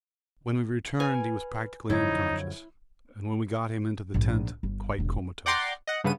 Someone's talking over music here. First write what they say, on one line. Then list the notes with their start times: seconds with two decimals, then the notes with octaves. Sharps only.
When we returned he was practically unconscious, and when we got him into the tent quite comatose.
1.00 B4 G#5
1.90 F#2 D3 F3 D#4 E4 C#5 G#6
4.14 A#1 G#2
4.63 G1
4.98 E1 D3
5.46 D5 F#5 G5 A#5 C6 D6
5.87 D#5 F#5
6.04 G2 C#3 B3 D#7